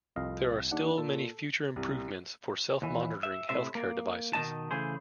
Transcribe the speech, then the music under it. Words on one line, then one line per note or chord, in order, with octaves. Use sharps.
There are still many future improvements for self-monitoring healthcare devices.
C2 F2 D#5 F5
D#2 D4 F#5
A#2 A4
C2
D#2 E3
E5
A2 C3 C5 E5
A#3
B2 D#3 C#4 D#4 D#5 A5
C#3 E3 A3 G#4 C5